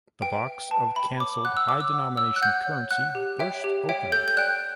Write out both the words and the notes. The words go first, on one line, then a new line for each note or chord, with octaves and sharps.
The box of canceled high-denomination currency burst open.
B4 G5
E5 G5
B4 A5
E5 G5 B5
C#5 D6
F#5 F#6
E6
C#5 D6
E6
F#5
C#5 E6
F#6
F#5 G6
C#5
F#5 F#6
G4
C#5 E5 G5
G4
C#5 E5 G5
A4 G6
G6
D5 G5 F#6